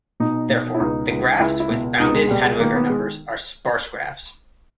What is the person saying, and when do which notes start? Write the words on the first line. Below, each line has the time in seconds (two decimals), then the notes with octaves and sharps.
Therefore, the graphs with bounded Hadwiger number are sparse graphs.
0.20 B2 D#4
0.50 B2
0.74 E4
0.80 C#2 D#4
1.10 C#2
1.40 C#2 E4
1.60 E4
1.70 B2
2.00 C#2 D#4
2.14 G#3
2.30 B2 G3
2.45 G#3
2.60 D#3 A#3
2.75 B3
2.90 D#3 G#3